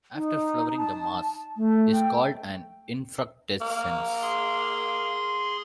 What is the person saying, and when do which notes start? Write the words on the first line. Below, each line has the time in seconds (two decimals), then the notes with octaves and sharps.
After flowering the mass is called an infructescence.
0.15 D#4
0.77 A5
1.57 A3
1.92 G5
3.61 A#3
4.22 G#4 C6